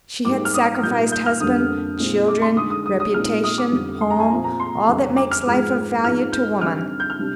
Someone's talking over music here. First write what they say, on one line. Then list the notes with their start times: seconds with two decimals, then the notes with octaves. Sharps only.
She had sacrificed husband, children, reputation, home, all that makes life of value to woman.
0.25 G#2 G3 A#3 D#4 D6
0.45 F6
0.54 D#6
0.83 A#2 G3 A#3 D#4 G6
1.12 G6
1.26 F6
1.40 F2 D3 G3 A#3 D4 D#6
1.98 A#2 G#3 C4 D#4
2.28 D6
2.42 C6
2.56 D3 G#3 D#4 D#6
2.70 D#6
2.86 D#6
3.00 D#6
3.14 A#2 G#3 C4 D#4 F6
3.44 D#6
3.58 D6
3.72 F2 D3 G3
4.01 C6
4.10 A#5
4.20 G#5
4.30 A#2 F3 C4 A#5
4.44 A#5
4.60 C6
4.88 F2 D3 G3 D4
5.16 D6
5.31 F6
5.46 G#2 F3 G#3
6.03 G#2 F3 C4 D#4 F6
6.32 G6
6.61 D3 G3 C4 D#4 F6
7.00 G6
7.10 F6
7.19 C3 G3 D4